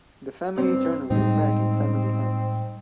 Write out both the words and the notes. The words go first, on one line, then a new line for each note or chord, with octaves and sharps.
The family journal was back in family hands.
G2 C4
A2 G3 G#3 C4 D#4